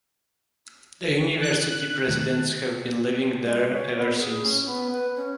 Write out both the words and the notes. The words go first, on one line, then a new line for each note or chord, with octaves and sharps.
The university presidents have been living there ever since.
F#6
B2 D#3 A3
G#3
C#5
B3
G#4
C#4
B3
B4
C#4